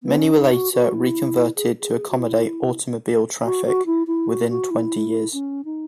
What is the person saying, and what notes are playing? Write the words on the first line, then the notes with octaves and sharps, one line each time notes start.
Many were later re-converted to accommodate automobile traffic within twenty years.
B3
C#4
D#4
F#4
F#4
E4
G#4
G#4
F#4
E4
F#4
F#4
E4
E4
F#4
F#4
E4
C#4
D#4